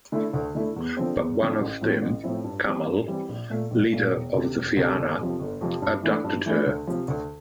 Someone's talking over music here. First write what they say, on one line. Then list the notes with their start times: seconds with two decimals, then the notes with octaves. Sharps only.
But one of them, Cumhal, leader of the fianna, abducted her.
0.12 D3 A3 E4
0.33 D2
0.55 D3 A3 E4
0.76 E2
0.97 D3 F3 C4
1.18 E2
1.39 D3 F3 C4
1.60 A1
1.81 A2 F3 C4 E4
2.02 A1
2.24 A2 F3 C4 E4
2.44 G2
2.66 E3 G3 C4
2.87 G2
3.08 E3 G3 C4
3.29 A#1
3.50 A#2 A3
3.71 A#1
3.92 A#2 A3
4.13 E1
4.34 D2 C3
4.55 E1
4.77 D2 C3
4.98 G1
5.19 F2 C3 F3
5.40 G1
5.61 F2 C3 F3
5.82 G2
6.03 E3 A3 D4
6.24 G2
6.46 E3 A3 D4
6.66 D2
6.87 C3 F3
7.08 D2